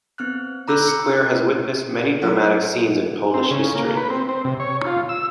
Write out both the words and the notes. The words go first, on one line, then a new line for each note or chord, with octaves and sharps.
This square has witnessed many dramatic scenes in Polish history.
B3 C4 F6 F#6
A#5 B5 D6 E6 F#6 G6
C#7
F#3
C4
C#3
A#3
B4
C4
C4
C3
C#5
F4
E6